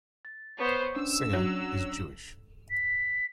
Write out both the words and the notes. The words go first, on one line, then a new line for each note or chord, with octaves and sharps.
Singer is Jewish.
A6
B3 C5 C#5 C#6 G6
C#4 D4 E6
F#3
B6